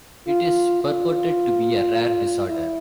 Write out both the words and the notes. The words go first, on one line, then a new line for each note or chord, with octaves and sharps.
It is purported to be a rare disorder.
F4
F4
E4